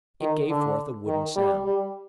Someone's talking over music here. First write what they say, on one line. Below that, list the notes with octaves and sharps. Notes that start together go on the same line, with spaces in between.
It gave forth a wooden sound.
D#3
D3
D#3
G3
G3